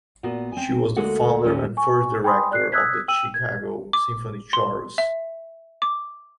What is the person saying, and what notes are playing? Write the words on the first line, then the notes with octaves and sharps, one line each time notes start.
She was the founder and first director of the Chicago Symphony Chorus.
A#2 B3 F#4
C4 G#5
D2 G#3 A#3 F#4 A4 F#5
D#2 C3 G#3 C#4 D#4
G#5 C#6
G5 G#5 B5 C6 D#6
D5 F#6 C7
D#6 E6 F#6 G#6 B6
G5 E6 D#7 F#7
G#6
D6
C6
E5
D6